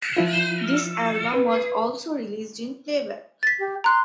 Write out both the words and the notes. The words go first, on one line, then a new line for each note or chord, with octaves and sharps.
This album was also released in playback.
F3 E4 F4
B4
A6 B6
G4
A#5 C6 F#6